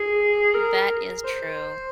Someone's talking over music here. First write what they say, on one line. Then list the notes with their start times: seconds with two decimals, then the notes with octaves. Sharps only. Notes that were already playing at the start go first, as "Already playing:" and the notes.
That is true,
Already playing: G#4
0.54 A#4
1.24 C5